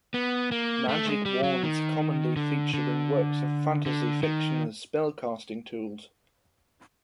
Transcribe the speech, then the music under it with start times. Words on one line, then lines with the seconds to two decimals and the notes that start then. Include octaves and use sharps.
Magic wands commonly feature in works of fantasy fiction as spell-casting tools.
0.14 B3
0.52 A#3
0.89 A3
1.06 G#3
1.26 G3
1.44 F#3
1.63 D#3
2.36 D3
2.74 D3
3.86 D3
4.23 D#3